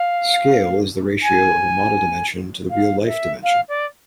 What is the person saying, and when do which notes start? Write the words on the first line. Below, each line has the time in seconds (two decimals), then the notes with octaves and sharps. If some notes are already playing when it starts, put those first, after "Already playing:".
Scale is the ratio of a model dimension to the real life dimension.
Already playing: F5
1.23 G#5
2.70 F5
3.06 E5
3.44 F5
3.69 D5